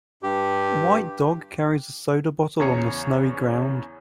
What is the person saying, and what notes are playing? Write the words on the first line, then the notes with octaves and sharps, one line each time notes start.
A white dog carries a soda bottle on the snowy ground.
G2 G4
E2 C#3 C#5 A#5 C7 C#7